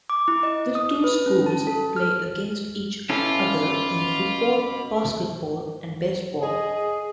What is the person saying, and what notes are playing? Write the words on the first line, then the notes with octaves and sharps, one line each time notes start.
The two schools play against each other in football, basketball, and baseball.
D6
E4
D#5
D#6
B4
C#4
A5
A4
F6
B2 C#4 E4 F4 A4 B5 D6
G#4 D#5